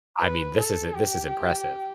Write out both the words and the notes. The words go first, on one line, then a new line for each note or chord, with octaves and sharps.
I mean, this is i this is impressive.
B4
A4
G4